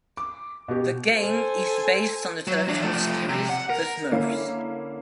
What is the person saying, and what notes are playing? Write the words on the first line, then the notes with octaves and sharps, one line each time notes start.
The game is based on the television series, "The Smurfs".
D6
B2 G4
A4 C5 G#5
F#3
E3 D4
F3 A3
C3
F#5
A#4
D3 A#3 C#4 E4